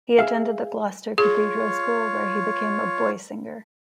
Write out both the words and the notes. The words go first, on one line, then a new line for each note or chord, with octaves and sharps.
He attended the Gloucester cathedral school, where he became a boy-singer.
G#4 E5 F5
F4 G#4 C#5